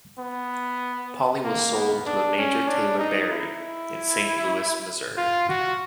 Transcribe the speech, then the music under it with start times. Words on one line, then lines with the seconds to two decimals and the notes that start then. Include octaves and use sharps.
Polly was sold to a Major Taylor Berry in Saint Louis, Missouri.
0.19 B3
1.44 A#3
1.74 B3
2.06 D4
2.37 C#4
2.68 D4
2.99 D#4
3.31 E4
5.17 F4
5.49 F#4